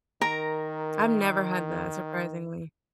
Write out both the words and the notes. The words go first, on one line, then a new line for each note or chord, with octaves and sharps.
I've never had that, surprisingly.
D#3 A#4 A#5